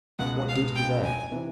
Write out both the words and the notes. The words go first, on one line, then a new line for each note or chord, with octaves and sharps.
What did he there?
C#2 B2 G#3 B3 F#5
F5
G5
G#5
C3 E3